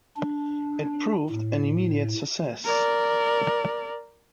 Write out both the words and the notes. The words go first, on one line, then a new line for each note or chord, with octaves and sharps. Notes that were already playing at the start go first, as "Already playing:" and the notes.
It proved an immediate success.
D4
A2
A#4 D5